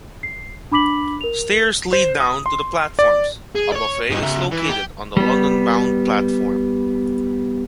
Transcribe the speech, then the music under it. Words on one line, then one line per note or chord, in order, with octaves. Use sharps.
Stairs lead down to the platforms: a buffet is located on the London-bound platform.
C7
D4 B5 D6 B6 F#7
A#4 F7
C5
D#6
C6
D5
G#4
C#5 D5
G2 D#4
C#3 E5
E3
G4
G3 B3